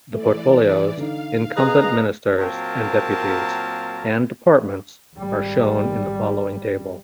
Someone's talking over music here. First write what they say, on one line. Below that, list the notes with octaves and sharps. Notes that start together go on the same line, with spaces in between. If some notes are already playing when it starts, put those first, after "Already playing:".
The portfolios, incumbent ministers and deputies, and departments are shown in the following table.
E3 A3 D5
D3 D#4 F5
G#4 B4 D#5 A#5
A#2 F#3 A#3 C4 A#4 A5
G#1 G3